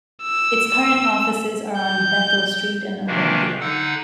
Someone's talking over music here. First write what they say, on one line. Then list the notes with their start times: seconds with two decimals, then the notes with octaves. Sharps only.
Its current offices are on Bethel Street in Olympia.
0.22 E6
1.78 G6
3.07 C3 D#3 E3 G#3 A#3 D4
3.61 D3 D#4 F#5 E6